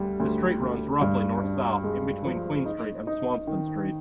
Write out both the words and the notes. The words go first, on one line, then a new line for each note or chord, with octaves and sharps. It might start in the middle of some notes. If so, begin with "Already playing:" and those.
The street runs roughly north-south in-between Queen Street and Swanston Street.
Already playing: D2 G3
D2
D2
G2
D4
G#3
F3
D#4
D#4
D#3